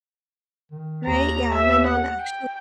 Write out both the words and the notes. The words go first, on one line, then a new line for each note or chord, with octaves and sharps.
Right? Yeah. My mom actual
D#3
D#2 A#5
E5
F#5
G5